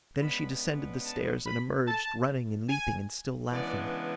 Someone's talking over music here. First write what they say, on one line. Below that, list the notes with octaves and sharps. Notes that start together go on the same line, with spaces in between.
Then she descended the stairs and emerged, running and leaping and still laughing.
C#3 G#3 B3 D4 B5
A5
B5
A5
G#5
C#3 E3 G#3 B3 D4 D5